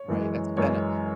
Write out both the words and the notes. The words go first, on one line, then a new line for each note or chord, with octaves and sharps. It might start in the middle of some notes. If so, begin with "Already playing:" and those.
right, that's kinda
Already playing: C#5
F#2 E3 G#3
F#2 E3 G#3 C#5